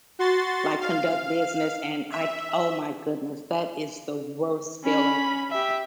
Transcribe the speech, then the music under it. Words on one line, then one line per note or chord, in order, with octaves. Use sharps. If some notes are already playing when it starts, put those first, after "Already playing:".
like, conduct business and I oh my goodness, that is the worst feeling.
F#4 C6 A6
F5
E5
C#4 B5
G4 E5